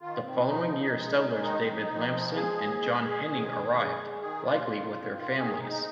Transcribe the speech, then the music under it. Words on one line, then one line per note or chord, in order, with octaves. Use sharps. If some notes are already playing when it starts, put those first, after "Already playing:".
The following year settlers David Lampson and John Henning arrived, likely with their families.
D#3 F4
D#3 C4
F3 D#4
F2
G#3
G#3
D#3 D#4
F2
F2
F3
G#3 G#4
D#2
G#3
G#3
D#3
D#2
G#3
G#3
D#3 G#4
D#2 F4
D#3
F2
D#3 F4
D#3 G#4
G#3 D#4